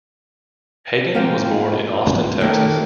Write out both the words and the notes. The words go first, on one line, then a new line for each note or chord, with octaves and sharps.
Hagan was born in Austin, Texas.
G#3 A#3 C4 F4 F5 G5
D#3 A3 A#3 G4